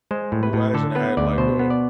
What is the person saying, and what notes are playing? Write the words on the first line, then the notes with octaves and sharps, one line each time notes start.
who hasn't had like, uh
G#3 C5
A2
B4
A2
D3 A4
B3 B4
D2 D5
B2 C5
B3
D5